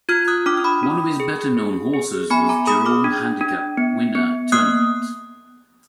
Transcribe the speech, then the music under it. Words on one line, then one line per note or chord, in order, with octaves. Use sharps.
One of his better known horses was Jerome Handicap winner, Tournament.
F4 F6 G#6
D#6 F#6
D4 D6 F6
F6
B5 D#6
D4
G#4
G#4
G#4
B3 G#5 B5
A#5 D6
G#4 B5 D#6
D6 F6
D4
D4
B3
B3
A#3 D#6 F#6